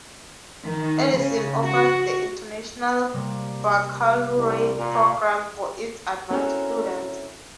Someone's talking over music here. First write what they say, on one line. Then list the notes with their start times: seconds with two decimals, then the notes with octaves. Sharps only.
Edison offers the International Baccalaureate program for its advanced students.
0.65 D#3
1.16 C#3
1.66 F#4
3.13 C3 G3 A#3
4.36 C2
4.78 A#2 F5
6.30 C4 C#4 E4 F#4 A4 A#4